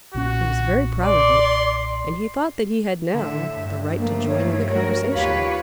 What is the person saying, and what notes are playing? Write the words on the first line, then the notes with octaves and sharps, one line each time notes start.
He was very proud of it, and he thought that he had now the right to join in the conversation.
B1 A#2 C#4 F#4
D5 C6
A2 D3 E5
G2
F3 A3 A#3
D#3 A#3 C#5
F#4 A#4
D#2 F4 G4 B4 C#5 F5